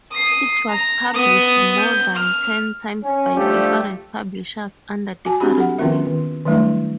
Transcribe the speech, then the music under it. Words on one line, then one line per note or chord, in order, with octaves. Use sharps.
It was published more than ten times by different publishers under different names.
D#6 C7
A#5
B3 D#6
G6
F6
C#4
F3 G3 A3 D4 G4
F#4 G#5 A5
C4 D4 F#4 G4 B5
A4 F#5
D#3 B3 C#4 F4 A#4 E5
D#3
D#3 F#3 G3 A3 D4 E4